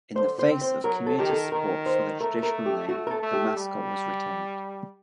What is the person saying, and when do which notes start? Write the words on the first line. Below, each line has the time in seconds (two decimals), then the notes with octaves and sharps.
In the face of community support for the traditional name, the mascot was retained.
0.16 D3 C5
0.39 C5
0.50 C4
0.61 C5
0.84 F#3 A#4
1.07 A4
1.18 D#3 G4
1.30 A4
1.52 D#3 A#4
1.86 C5
2.21 A3 A#4
2.43 A#4
2.66 G4
2.89 A3 F#4
3.07 A#4
3.11 A4
3.22 A3
3.33 G4
3.57 G3